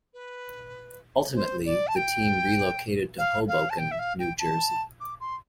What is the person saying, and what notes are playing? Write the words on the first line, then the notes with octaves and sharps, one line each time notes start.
Ultimately, the team relocated to Hoboken, New Jersey.
B4
C5
D5
A5
G5
F5
F5
A5
G5
E5
F5
G5
A5
D6
C6